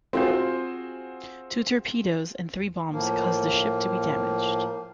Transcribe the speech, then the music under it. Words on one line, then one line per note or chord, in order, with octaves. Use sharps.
Two torpedoes and three bombs caused the ship to be damaged.
C4 F4 F#4 G#4 C5
A2 F3 A#3